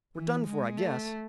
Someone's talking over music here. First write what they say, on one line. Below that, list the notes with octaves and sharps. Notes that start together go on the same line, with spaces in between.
"We're done for, I guess."
E3
G#3
A3